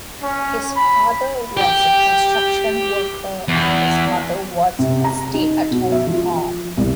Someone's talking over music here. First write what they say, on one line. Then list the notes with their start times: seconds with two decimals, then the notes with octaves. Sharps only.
His father was a construction worker and his mother was a stay-at-home mom.
0.23 C#4
0.76 B5
1.57 G4 G5
3.48 E2
4.79 C3
5.04 A#5
5.34 D#4
5.71 B2
5.92 E5
6.07 F3
6.77 C2